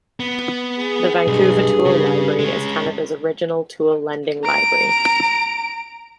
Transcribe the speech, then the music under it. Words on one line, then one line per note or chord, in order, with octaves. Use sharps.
The Vancouver Tool Library is Canada's original tool lending library.
B3
G#4
B1 G2
C#3
G#3 C#4
A#5 D7